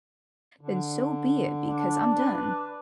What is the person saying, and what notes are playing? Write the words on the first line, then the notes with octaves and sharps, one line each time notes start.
then so be it, because I'm done.
D3
D4
B4